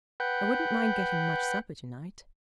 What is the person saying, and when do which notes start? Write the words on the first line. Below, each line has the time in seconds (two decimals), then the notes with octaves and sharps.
I wouldn't mind getting much supper tonight.
0.20 B4 F#5 G5